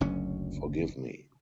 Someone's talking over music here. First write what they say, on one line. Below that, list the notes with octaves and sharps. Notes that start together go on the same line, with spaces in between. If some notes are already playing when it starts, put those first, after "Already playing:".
Forgive me.
F#1 D2 F#3 C#4